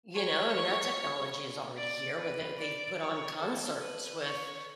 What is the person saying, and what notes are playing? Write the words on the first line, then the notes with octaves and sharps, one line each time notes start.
You know, I mean, that technology is already here, where they they've put on concerts with,
C#5
D5
B4
D5
C#5
A4
B4
C#5